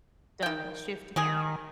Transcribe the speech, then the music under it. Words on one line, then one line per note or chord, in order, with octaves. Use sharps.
done a shift together-
D#3 G5
D#3 G#3 G4 G#4